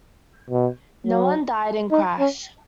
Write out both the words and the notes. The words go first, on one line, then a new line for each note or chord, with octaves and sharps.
No one died in crash.
B2
F#3
D#4
C#4